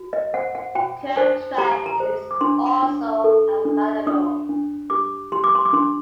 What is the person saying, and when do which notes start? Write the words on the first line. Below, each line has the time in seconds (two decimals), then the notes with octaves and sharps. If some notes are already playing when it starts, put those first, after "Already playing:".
Curved track is also available.
Already playing: F#4
0.13 D#5
0.33 C5 F#5
0.55 F#5
0.75 F#4 G5
1.16 C5 A5
1.58 G4 A#5
1.72 A5
1.86 A#5
2.00 C5
2.31 D6
2.41 D4 C6
2.82 D4
3.24 A4
3.65 D4
4.07 D4 D#6
4.49 D4
4.90 G4 D6
5.32 G4 C6
5.44 D6
5.55 C6
5.65 D6
5.73 D4 C6